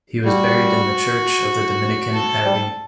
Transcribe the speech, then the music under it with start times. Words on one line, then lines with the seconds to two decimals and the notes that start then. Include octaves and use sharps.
He was buried in the church of the dominican abbey.
0.24 G3 F#4
2.13 A4
2.45 G3